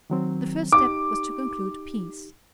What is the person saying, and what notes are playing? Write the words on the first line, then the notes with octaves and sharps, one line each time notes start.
The first step was to conclude peace.
D#3 F#3 C4
D#4 G4 D6